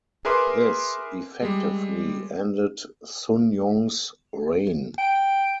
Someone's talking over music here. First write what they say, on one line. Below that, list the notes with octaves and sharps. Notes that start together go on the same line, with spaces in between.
This effectively ended Sunjong's reign.
G#4 A#4 B4 E5 C6 D6
G3 G#3
G5